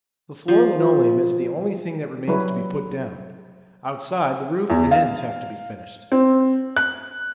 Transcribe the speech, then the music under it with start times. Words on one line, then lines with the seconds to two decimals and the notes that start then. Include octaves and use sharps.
The floor linoleum is the only thing that remains to be put down; outside, the roof and ends have to be finished.
0.48 F3
2.28 F#3 G3 E4 B4 C#5
4.70 E2
4.91 F5
6.12 C4
6.77 F#6